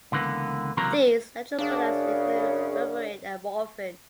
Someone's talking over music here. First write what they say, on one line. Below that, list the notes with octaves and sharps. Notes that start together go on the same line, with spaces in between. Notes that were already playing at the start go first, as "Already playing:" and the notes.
These natural products include berberine and morphine.
C#2 D3 E3 A#3 B3
C#2 C3 E3 F#3 A#3 A#4
F#2 C#3 D4